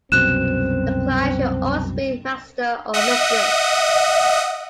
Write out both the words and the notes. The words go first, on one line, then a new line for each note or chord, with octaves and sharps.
The client should always be master or mistress.
C2 F#2 B2 C4 F#6 E7
D#5 E5 F#5 D#6